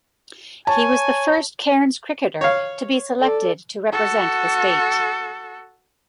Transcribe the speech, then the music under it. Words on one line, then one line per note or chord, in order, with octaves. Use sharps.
He was the first Cairns cricketer to be selected to represent the State.
C#5 G#5 A5
C#5 F5
A4 D5
F#4 A4